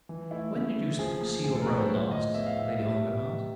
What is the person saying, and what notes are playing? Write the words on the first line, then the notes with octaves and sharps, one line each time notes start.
"When did you see your brother last?" Lady Ongar asked.
E3
A3 E4
C#3
C#3
F3 G#4
A#3 G#4
A2 G#4
A4
A#4
A2 B4
C5
F3 C#5
G#3 D#5
B3 E5
F5
A2 E5
G3 E5
B3
D#3